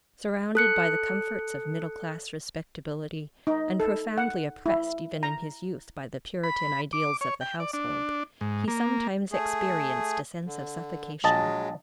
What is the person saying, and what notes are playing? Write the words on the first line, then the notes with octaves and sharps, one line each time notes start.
Surrounded by the comforts of middle-class respectability, and profoundly oppressed, even in his youth, by the Puritan ideals of the household, he sometimes experienced a sense of suffocation.
A4 F#6 C#7
D#4
A4
F#5
E4
A#5
B5
D6
C#5
G5
D5
D4
G#2
A#3
A3 G#4
D3
A#1 F#3 G#3 D#5 A5